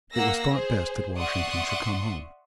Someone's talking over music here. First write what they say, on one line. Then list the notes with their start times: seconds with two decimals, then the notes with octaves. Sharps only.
It was thought best that Washington should come home.
0.13 A#3 F#5 E6 A#6
0.51 G#4 C5
1.17 D5 E5 F#5 C6 C#6 D#6